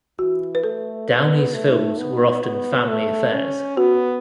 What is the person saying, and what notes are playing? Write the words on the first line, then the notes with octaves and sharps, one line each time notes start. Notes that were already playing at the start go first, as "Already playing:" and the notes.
Downey's films were often family affairs.
E3 F#4
B4
A3 A4
B3 B4
B4
A3
D#4
B3
B3
A3
C#4
B3 F#4